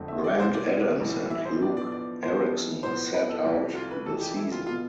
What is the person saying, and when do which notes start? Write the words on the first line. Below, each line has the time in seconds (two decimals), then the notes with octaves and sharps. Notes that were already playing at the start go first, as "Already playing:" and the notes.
Grant Adams and Luke Erickson sat out the season.
Already playing: F1 F2 D3 A3 C4
0.08 E5
0.24 D5
0.39 C2 C3 G3 C5
0.54 D5
1.00 B1 A2 E3 G3
1.30 E5
1.45 C5
1.61 B1 A2 F3 B3 D4 D5
1.77 D5
1.92 D5
2.23 F2 E3 B3 C5
2.83 B1 A2 F3 B3 C5
3.14 B4
3.29 A4
3.44 C2 C3 F3 A3 G4
3.75 F4
3.91 B4
4.06 F1 F2 E3 A4
4.21 G4
4.37 E4
4.52 F4
4.67 B2 F4